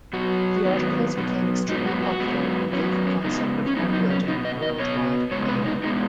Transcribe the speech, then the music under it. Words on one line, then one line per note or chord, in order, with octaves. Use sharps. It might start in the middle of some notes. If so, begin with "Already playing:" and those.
The articles became extremely popular and gave the concept of homebuilding worldwide acclaim.
B2 F#3 B3 F#4
G#2 D#3 F#3 B3
B2 F#3 B3
G#2 F#3 B3 D#4
F#4
F#4
G#2 F#3 B3
F#2 F#3 B3 C#4
C#4
C#3 G#3 B3 D#4
C#4
F#2 F#3 B3 D#4
D#4
C#4
B2 B3 D#4
D#5
D#5
B2 B3 C#5
C#3 G#3 B3 C#5
B4
D#4
B2 G#3 B3 D#4